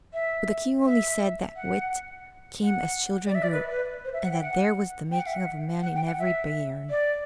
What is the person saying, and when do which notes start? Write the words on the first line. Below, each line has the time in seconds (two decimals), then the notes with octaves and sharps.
But the King only said that wit came as children grew, and that there was the making of a man in every bairn.
0.14 E5
0.86 E5
1.56 F#5
2.64 F#5
3.27 D5
3.35 E5
3.43 D5
3.53 B4
3.70 B4
4.05 C5
4.14 E5
4.24 F#5
4.32 G5
4.42 F#5
5.12 G5
5.19 F#5
5.27 E5
5.34 F#5
5.83 F#5
5.95 G5
6.07 F#5
6.19 E5
6.90 D5